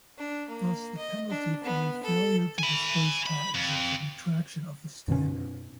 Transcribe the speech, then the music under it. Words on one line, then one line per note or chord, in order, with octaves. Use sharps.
Thus the penalty for a failure to disclose patents is retraction of the standard.
D4
A#3
D#5
D4
B3
A4
G#5 B5
B5
F2
F#2 B2 C#4